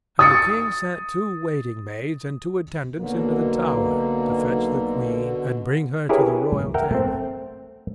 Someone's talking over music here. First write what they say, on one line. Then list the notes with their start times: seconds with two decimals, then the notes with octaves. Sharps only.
And the king sent two waiting-maids and two attendants into the tower, to fetch the queen and bring her to the royal table.
0.19 D#6 A6 C#7
2.97 B1 B2 D3 A#3
6.09 E4 G4 G#4 A#4 B4 C#5
6.74 A#4 E5 F#5 G5 A#5
6.91 A3 C4